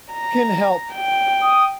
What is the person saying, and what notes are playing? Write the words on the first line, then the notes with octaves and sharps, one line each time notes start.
can help.
A#5
G5
D#6